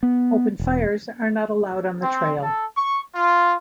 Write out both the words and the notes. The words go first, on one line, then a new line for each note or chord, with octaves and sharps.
Open fires are not allowed on the trail.
B3
E1
C4
A4
C#6
F4